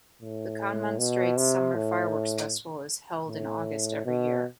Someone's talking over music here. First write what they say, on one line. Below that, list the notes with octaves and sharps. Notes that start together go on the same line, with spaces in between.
The Kanmon Straits Summer Fireworks Festival is held in August every year.
A2
B2
C3
A2
A2
B2